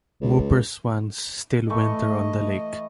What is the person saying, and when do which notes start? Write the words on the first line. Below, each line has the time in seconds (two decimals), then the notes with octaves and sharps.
Whooper swans still winter on the lake.
0.21 C#2
1.70 E3 A3 D#5 C#6